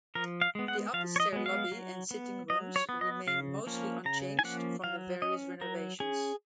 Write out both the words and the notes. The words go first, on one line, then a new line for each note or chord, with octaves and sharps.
The upper stair lobby and sitting rooms remain mostly unchanged from the various renovations.
F3 A#4
F5
G#3 B3
F#5
F3 F5
C#5
D#5
G#3 B3
F5
F#3
B3
F#3 D#5
C#5
B3
D#5
C#3 F5
F3 A#3 C#4
C#3 A#5
G#5
F3 A#3 C#4 F#5
F#3 F5
C#4 D#5
F#3 A#4
C#4 G#4